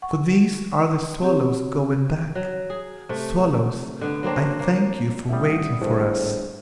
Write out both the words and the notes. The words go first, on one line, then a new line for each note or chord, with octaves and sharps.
For these are the swallows going back. Swallows, I thank you for waiting for us.
F#5 C#6
C4 F#4 G4 C#5
F#3
G#4
C3 A3
D3 B3
F#3 A#3 C4 D4
A#3
A1 G3 E5 F#5 D#6
G1 A2 E4 G#4 C5